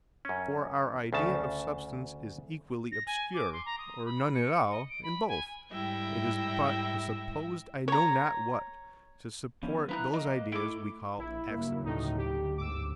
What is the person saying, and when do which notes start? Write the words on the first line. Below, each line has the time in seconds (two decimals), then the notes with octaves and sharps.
For our idea of substance is equally obscure, or none at all, in both: it is but a supposed I know not what, to support those ideas we call accidents.
0.25 F#2 C#4
1.13 D2 C#3 A5
2.92 A#6
3.07 G#5
3.34 D6
3.53 C6
3.66 A#5
3.78 D#6
4.06 B5
4.34 C#7
4.70 D#5
4.89 D7
5.03 B5
5.28 G#5
5.71 G#2 G3 E4 E5 G5 A#6
7.88 C#5 A#5
9.63 F3 B3 C#4
9.89 F3 D#4 E4 B4 A#5 F#6
10.13 A#3 D#5
10.52 A3 E4 D6
11.18 A#1 E4
11.50 G2 C#3 F#3 A#3
11.84 D2 A2 D#4
12.17 G4
12.57 G1 G#2 D6 E6